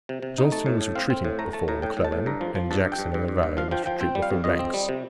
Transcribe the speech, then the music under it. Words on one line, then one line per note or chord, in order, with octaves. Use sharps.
Johnston was retreating before McClellan, and Jackson in the valley must retreat before Banks.
C3
C3
D#4
A3 A5
A2
A2
C4 F5
C4
A2
A3 A#5
A3 A5
A2 A#5
A2 G5
A2
A5
A2
G2 A#5
F3
F3
G2 A5
G2
G5
G2
G2
G2
G2
F3 F5
F3 G5
F3 G5
C4 G5
G3
F5
F2
F2 D#5
C4
G3
C3